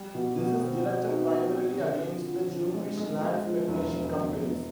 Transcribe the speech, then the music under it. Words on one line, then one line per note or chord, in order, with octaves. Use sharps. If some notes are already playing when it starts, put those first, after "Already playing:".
This is directed primarily against the Jewish land-speculation companies.
Already playing: G3
B2
B2
C4
G3
D#4
C4
C4
D3
F3
F3
F3
G#3
G#3
G#3
F3
E1
E1
E1
E1